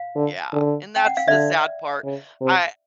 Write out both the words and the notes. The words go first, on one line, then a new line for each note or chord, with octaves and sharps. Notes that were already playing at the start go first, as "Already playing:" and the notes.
Yeah, and that's the sad part. I
Already playing: F5
D3
D3
G5
F#5
F5
D3 D5 E5
C#3
C3